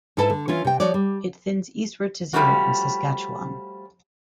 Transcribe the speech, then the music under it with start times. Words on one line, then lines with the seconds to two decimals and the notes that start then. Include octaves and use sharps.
It thins eastward to zero in Saskatchewan.
0.17 G#2 E4 A4 B4 A5
0.30 D3
0.48 E3 C#4 F4
0.65 C3 G5
0.80 F3 F#4 C#5 D5
0.94 G3
2.33 F3 G3 A3 C#4 F#4